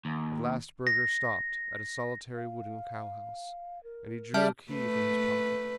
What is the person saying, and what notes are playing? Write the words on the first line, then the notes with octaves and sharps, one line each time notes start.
At last Burger stopped at a solitary wooden cow-house, and he drew a key from his pocket.
D#2
A#6
F5
A#4
G3 D5 E5 A5 F6 G6
A3 B4